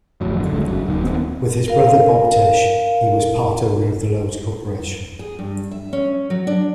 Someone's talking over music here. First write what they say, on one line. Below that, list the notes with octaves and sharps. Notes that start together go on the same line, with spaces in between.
With his brother Bob Tisch, he was part owner of the Loews Corporation.
G1 F2 A2 F#3
D3
G1 D2 G#2
F#1 F#3
D#1 D#3
D#2 B3 C4
A#4 F5
G#4
G2
E5
C#4
F#3
D4